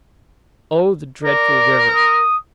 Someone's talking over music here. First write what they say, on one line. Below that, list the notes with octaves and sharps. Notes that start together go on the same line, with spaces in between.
Oh, the dreadful river!'
A#4 D5
D#6